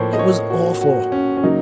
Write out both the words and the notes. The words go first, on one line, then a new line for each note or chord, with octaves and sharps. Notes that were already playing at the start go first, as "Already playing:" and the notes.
It was awful.
Already playing: A2 F3 A#3 C5 C#5
D#5
C#5
F#4
F#4
C#4
C#4
C#3 F#3 A#3 D#4